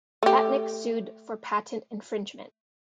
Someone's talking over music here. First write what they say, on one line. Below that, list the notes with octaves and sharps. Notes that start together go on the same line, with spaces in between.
Catnic sued for patent infringement.
A3 G4